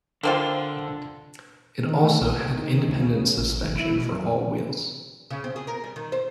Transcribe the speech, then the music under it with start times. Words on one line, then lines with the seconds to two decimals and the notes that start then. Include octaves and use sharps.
It also had independent suspension for all for wheels.
0.23 D3 A#3 C4 F4 A4 C5
1.86 D#3
2.03 A3
2.21 B1
2.33 C3
2.55 D#3
2.88 D2
3.00 C#3
3.37 A1
3.62 F1
3.75 E4
3.98 B2
4.12 F#2
5.30 C#3
5.44 C4
5.56 G#4
5.67 A#4
5.84 G3
5.96 D#3
6.12 C5